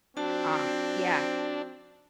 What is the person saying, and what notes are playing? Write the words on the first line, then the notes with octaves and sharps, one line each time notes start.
um yeah.
F3 C4 D4 F#4 A5